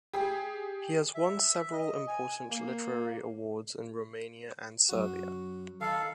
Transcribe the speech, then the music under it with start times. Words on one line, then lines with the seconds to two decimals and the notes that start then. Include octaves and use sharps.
He has won several important literary awards in Romania and Serbia.
0.13 G4 G#4
1.15 E5
1.73 D#5
2.08 G#5
2.50 A#3
4.89 F#2 F#4
5.81 D#3 A4 F5 B5